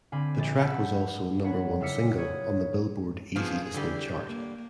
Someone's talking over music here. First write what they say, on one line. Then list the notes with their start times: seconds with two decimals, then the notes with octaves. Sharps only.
The track was also a number-one single on the "Billboard" easy listening chart.
0.12 D3 C4 F5 G#5 B5 D6
0.37 A#1 G#3 A6
0.59 F#5 G#5 A5 B5 E6 G6
1.43 A#3 B3 C#5 F#5 B5
1.80 F#1 G3 F5 E6 B6 C#7
2.18 B4 C#5 C#6 D#6 G#6
3.36 F2 F3 B3 G#4
3.74 D3 E3 G3
4.26 A#3